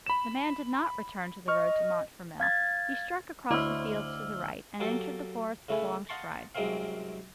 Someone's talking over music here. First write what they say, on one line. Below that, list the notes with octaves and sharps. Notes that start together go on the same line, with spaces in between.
The man did not return to the road to Montfermeil; he struck across the fields to the right, and entered the forest with long strides.
B5 E7
D#5 C#6 F6
F5 G#6 A6
D2 E4 C5 C#5 D#5 D6 E6 F6
F#3 A#3 G4 A4
A2 C#3 A3 B4 E5 G#5
D#5 F5 F#5 A5 C6 C#6
C2 F#2 G#3 A#3 C4 F5